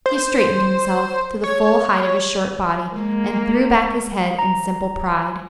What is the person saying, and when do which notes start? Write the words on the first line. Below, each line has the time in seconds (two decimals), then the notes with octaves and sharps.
He straightened himself to the full height of his short body and threw back his head in simple pride.
0.06 C5
1.44 C#5
2.92 G#3 A#3
4.39 A#5